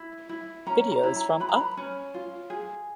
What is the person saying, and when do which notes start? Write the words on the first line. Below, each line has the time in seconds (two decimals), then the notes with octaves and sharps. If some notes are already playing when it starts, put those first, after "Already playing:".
Videos from Up!
Already playing: E4
0.29 E4
0.67 C#4 A#5
0.91 A#5
1.03 E4
1.16 A#5
1.40 B4 B5
1.49 A#5
1.56 B5
1.77 C#4
2.14 F4
2.50 G#4